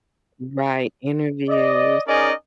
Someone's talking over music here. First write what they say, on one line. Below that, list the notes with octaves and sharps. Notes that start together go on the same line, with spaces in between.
Mm, right, interviews.
D5 D#5
C#4 D#4 G#4 A#4 D5 D#5